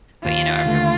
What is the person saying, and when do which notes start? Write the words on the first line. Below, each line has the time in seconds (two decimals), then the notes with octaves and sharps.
but, you know, every
0.24 D#2 F4
0.66 D3 A3